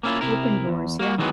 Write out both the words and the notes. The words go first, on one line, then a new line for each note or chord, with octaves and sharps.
Open doors, yeah.
A#3 B3 C#4 E4 F4
C3 E4 A#4
E2
A#3 F#4
D#3 E3 F#3 G#3 B3